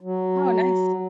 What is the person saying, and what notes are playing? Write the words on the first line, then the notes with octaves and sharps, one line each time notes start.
Oh, nice.
F#3